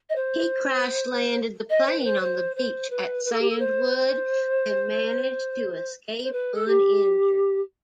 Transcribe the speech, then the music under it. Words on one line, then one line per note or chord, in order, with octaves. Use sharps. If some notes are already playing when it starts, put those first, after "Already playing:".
He crash-landed the plane on the beach at Sandwood, and managed to escape uninjured.
D#5
C5
D#5
C5
B4
C5
C5
C5
B4
B4
A4
G4
A4
C5
C5
B4
A4
G4